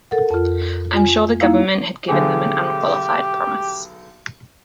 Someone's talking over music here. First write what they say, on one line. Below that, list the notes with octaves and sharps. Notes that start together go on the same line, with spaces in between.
I'm sure the government had given them an unqualified promise.
A4 A#4 F#5
F2 F4
F4 G#5
A#3 D#4 E4 F5
B1 D3 G4 G#4